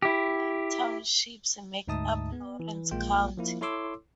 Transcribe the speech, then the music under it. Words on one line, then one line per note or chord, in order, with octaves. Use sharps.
Nine townships make up Lawrence County.
E4 G4
D2 G#2 D#4 E5 A5 D#6
B3
E3
A#1 G#3 A#3 F4 G5
F3 A#3 E4
E4 A4 C#5 C6 D6 E6